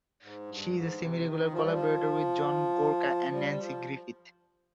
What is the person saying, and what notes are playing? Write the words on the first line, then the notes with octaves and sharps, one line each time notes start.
She is a semi-regular collaborator with John Gorka and Nanci Griffith.
G#2
G2
G#2
C3
D#3
F3
G3
F3
G3
F3